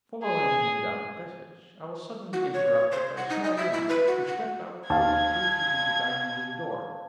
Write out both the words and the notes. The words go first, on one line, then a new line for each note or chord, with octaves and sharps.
Following him down the passage I was suddenly interrupted by a small woman, who stepped out from what proved to be the dining-room door.
G#4
F#4
C#5
C5
F#5
D#4
D#5
E5
E4
B4
F#4
F#5
D#2 F5 A5 G#6